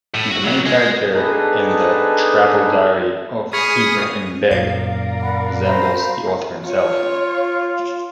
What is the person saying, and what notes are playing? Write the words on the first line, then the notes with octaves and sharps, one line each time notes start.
The main character in the "Travel Diary of Ebrahim Beg" resembles the author himself.
A2
F#4
C#3 F#3
G#3
B3 D4 D#4 G#4 A4 B4
G#4 B5 C#6 D#6 F6
F#2 A#2 A#4 D5 F5
F#5 B5
C5 A#5 B5
F4 C#5